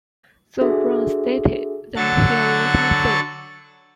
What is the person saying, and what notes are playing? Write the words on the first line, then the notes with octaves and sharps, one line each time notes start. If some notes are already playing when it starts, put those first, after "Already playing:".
Though Brown stated that Hear What I Say!
D4 F#4 G#4 A4 E5
D3 F#3 A4 F#5 C#6 A6